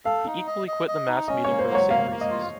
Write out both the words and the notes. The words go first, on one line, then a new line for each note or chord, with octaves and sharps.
He equally quit the mass meeting for the same reasons.
A4 F5
D#4
D#5
D#5
D#5
D#4
C#4 D#5
C#5
A#3
C5
F#3
C#5
A#3 F5
A#3
D#5
F4